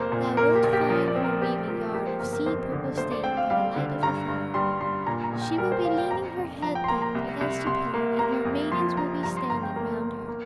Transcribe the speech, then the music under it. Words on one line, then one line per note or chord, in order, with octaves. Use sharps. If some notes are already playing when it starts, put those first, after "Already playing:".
Thou wilt find her weaving yarn of sea-purple stain by the light of the fire. She will be leaning her head back against a pillar, and her maidens will be standing round her.
Already playing: F1 F2 A#3 C5
A#2
A#3 A#4
G4
A#1
G4
F3 A#4
D5
C4
A#4
C4 G4
F3 A#4
A#3 G4
C5
G1 A#4
A#4
F2 C5
D3
D2 C5
D5
C4 G5
F5
G3 F5
D3
G2 A#5
G2
G3 C6
G2 C6
A#2 A#5
A#5
A#1
G5
G3 A#4
C5
A#1 F5
G5
F2 A#5
F1
F3 A#5
G5
C6
A#3 A#5
A#5
C2
C2
C2 C6
A#3
A#3 A#5
F2
F3 C6
F3 A#5
G2 A#5
C6
G1 A#5
G5
A#3
A#3
A#3